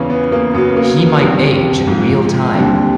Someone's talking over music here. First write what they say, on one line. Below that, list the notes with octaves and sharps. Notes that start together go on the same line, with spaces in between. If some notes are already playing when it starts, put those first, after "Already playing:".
He might age in real time.
Already playing: E2 C#3 E3 C#4
B3
A#3
F#2 C#3 F#3 B3
A#3
B3
C2 C3 D#3 G3 C4
G#2 F3
D#2 D3 G3 C4